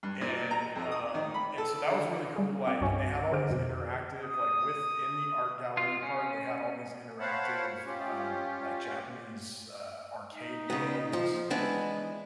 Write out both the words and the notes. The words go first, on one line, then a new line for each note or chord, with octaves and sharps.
and, um, and, so, that was really cool, like, and they had all these interactive, like within the art gallery part, they had all these interactive, um, like, Japanese, uh, arcade games
G2
A#2
A#5
F2
D#6
D#3
B5
A4
D3
G3 G#4
C4 F5 D6 C#7
C2 G2 F#4 C#5 G#5
D3 G#4 C5 D6 F6 D7
F2 B2
D#6
F4
C#4
C5 C#5 F5 F#5 A5 B5
C#4 F4 G4
D#4
C#3 B3
F3
E3 G#3 B3 D4